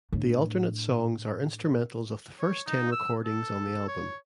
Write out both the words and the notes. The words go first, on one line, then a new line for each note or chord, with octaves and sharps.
The alternate songs are instrumentals of the first ten recordings on the album.
A2 D4
C#5
D#4
E6
A4
C#5